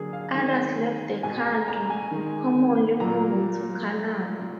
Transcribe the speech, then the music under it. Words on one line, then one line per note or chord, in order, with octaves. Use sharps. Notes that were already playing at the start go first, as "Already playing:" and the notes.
Others left the country, commonly moving to Canada.
Already playing: D3 F#3 A#3 G#4
F5
D#3 G#3 G#5
B2 G#3 G#5
A#5
A#5
G#5
D#3 G#3
A#2 F#3 A#3 A#5